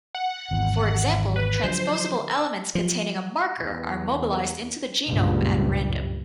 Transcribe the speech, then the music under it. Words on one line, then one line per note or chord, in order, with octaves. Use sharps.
For example, transposable elements containing a marker are mobilized into the genome at random.
F#5
G#1 E2
B4
D3 F3 F#3 C5
E6
F3
E2
F#1 C#2 G2 A#2 G3